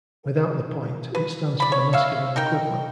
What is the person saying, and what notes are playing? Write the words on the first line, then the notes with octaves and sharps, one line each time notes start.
Without the point, it stands for the masculine equivalent.
B4
D5 B5
C#5
C#5 E5 F5
D#4 A#4 G5